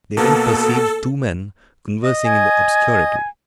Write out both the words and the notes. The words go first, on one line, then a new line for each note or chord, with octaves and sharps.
They then perceived two men conversing in the obscurity.
B2 A#3 B3 A4
D#5
G#5